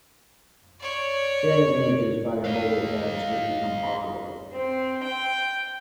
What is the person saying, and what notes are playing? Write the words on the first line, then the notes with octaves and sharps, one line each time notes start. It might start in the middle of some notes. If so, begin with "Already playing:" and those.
Sharing images via mobile phones has become popular.
C#5 D5
D#5 F5
C4
G5